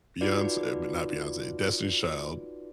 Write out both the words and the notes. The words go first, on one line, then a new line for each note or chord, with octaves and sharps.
Beyoncé but not Beyoncé, Destiny's Child.
D#4 F4 F#4 B4 D5